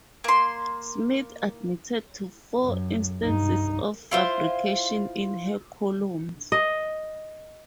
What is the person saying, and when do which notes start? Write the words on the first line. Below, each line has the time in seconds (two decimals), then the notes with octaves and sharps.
Smith admitted to four instances of fabrications in her columns.
0.24 A#3 C6
2.63 F#2
3.23 G2 D#4
4.11 E4 F4 C5
6.52 D#5